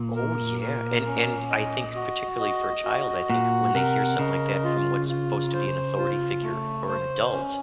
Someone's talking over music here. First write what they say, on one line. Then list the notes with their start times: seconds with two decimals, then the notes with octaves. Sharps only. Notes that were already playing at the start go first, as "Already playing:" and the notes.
Oh, yeah, and and I think particularly for a child, I think when they hear something like that from what's supposed to be an authority figure or an adult,
Already playing: A#2
0.16 A#4
0.61 A#4
1.06 C#4
1.50 D#5
1.95 F#4
2.40 D#5
2.85 F#4
3.30 A#2 F#5
3.75 C3 A#4
4.19 C#3 D#5
4.64 F4
5.09 F4
5.54 C5
5.98 F4
6.43 A3
6.88 C5
7.33 C#4